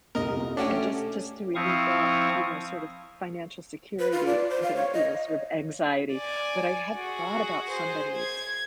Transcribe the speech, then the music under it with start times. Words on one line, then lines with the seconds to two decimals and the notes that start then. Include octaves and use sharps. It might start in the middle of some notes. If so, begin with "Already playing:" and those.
And just just to relieve that, you know, sort of financial security, dil you know, sort of anxiety, but I hadn't thought about somebody's
0.15 C2 F2 A#4 D#5
0.57 A3 C#4 D4 F#4 G4 D6
1.55 F3 C4 E4 F5 C#6 D#6
3.99 B4
4.12 F4
4.27 D5
4.50 C5
4.63 F5
4.76 C#5
4.93 D#5
6.13 D5 G#5
6.97 F#4 G#4
7.68 G#4 C5
8.17 G#6